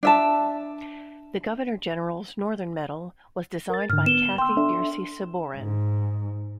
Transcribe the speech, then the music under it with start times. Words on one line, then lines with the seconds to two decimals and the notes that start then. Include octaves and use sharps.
The Governor General's Northern Medal was designed by Cathy Bursey-Sabourin.
0.03 D4 E5 A5
3.70 A#4 A6
3.90 G#2 D3 F6
4.06 B3 E7 G7
4.38 G5 C6 E6
4.57 D4 A4 E5
5.57 G#2